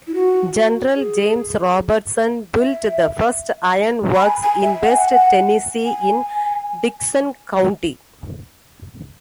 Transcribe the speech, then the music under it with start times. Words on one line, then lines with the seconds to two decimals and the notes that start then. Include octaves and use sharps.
General James Robertson built the first iron works in west Tennessee in Dickson County.
0.07 E4
0.14 F#4
0.96 G#4
2.59 E5
4.15 B5
4.22 G#5
4.43 G#5
4.63 E5
4.83 F#5
4.91 G#5
4.98 F#5
5.86 G#5